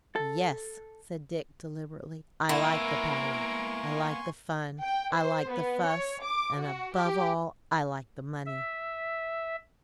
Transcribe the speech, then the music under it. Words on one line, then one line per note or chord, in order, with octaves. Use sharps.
'Yes,' said Dick, deliberately, 'I like the power; I like the fun; I like the fuss; and above all I like the money.
A4
A#3 B3 E4 A#4 G#5 C6 C#6 D7
G5
C5
B3
C#5
D6
F#4
G4
E5